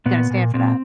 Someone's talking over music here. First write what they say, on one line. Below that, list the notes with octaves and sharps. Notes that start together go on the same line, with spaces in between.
gonna stand for that.
A#2 B3
A#2
A#2 C4